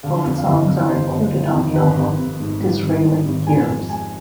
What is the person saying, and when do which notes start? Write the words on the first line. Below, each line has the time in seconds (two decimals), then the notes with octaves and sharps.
Both songs are included on the album "Disraeli Gears".
0.03 D3 F5
0.25 F2
0.38 F5
0.46 G1 D#5
0.68 F2
0.89 G1 C5
1.11 G1
1.32 G1
1.54 F2
1.75 G#1 B4
1.96 G#1
2.18 G#1
2.40 G#2
2.60 G3
2.82 G#1
3.03 G#2
3.26 G#1
3.46 G#3 G#5
3.68 F2
3.89 G#3 G#5